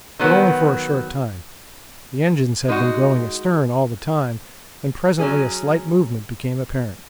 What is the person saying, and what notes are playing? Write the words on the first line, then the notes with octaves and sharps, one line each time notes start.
But only for a short time; the engines had been going astern all the time and presently a slight movement became apparent.
D#3 F#3 B3 F#4
G#3 D#4 F#4
F#3 C#4 G#4